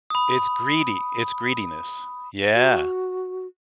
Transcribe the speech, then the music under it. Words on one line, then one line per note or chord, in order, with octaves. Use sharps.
It's greedy, it's greediness. Yeah.
B5 D#6
F#4